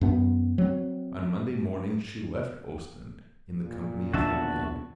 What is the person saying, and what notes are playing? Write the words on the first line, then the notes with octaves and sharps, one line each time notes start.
On Monday morning she left Ostend, in the company of her maid.
F#2 B3
F#3 C4
A#2
D#2 B2 D4 F#4 E5 A5